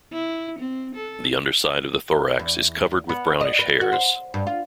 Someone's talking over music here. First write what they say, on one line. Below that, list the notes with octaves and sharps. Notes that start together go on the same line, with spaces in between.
The underside of the thorax is covered with brownish hairs.
E4
C4
A4
E2
B3
D#5
B4
F#4
C5
G2
F4